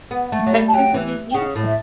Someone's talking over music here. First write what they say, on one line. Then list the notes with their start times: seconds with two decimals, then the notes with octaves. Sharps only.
our kids will be beautiful.
0.11 B3
0.32 A3
0.47 F#3
0.53 G3
0.68 A5
0.73 F#3 G5
0.94 E3
1.31 G5
1.34 C#3 F#5
1.56 A2
1.66 E5